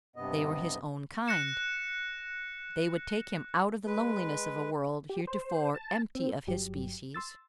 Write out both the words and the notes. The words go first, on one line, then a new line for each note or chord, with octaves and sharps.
They were his own kind, they would take him out of the loneliness of a world heretofore empty of his species.
G2 C3 B3 D#5
F#6 A#6 C#7 E7
G#3 B4
G4
C5
A5
C4
G1 G2 F#3 G4
C6 E6 A6